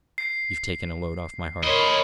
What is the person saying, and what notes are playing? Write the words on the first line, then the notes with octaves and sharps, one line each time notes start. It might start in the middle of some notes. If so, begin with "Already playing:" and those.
You've taken a load off my heart....
C7
A#4 C5 C#5 D#5 B5